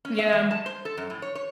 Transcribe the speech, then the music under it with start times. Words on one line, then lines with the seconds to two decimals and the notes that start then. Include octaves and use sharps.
Yeah, um
0.05 C#4
0.19 E5
0.33 E2
0.51 A5
0.66 C5
0.85 A4
0.97 F#2
1.10 A2
1.22 C#5
1.35 C#5